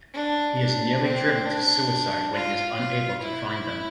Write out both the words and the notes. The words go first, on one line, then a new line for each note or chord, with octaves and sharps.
He is nearly driven to suicide when he is unable to find them.
D4
D4
C4
D4
F4
F4
E4